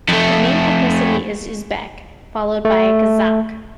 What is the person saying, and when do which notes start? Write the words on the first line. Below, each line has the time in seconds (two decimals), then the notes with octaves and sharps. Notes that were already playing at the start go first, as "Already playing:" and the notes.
The main ethnicity is Uzbek, followed by Kazakh.
0.09 F2 A3
2.65 A3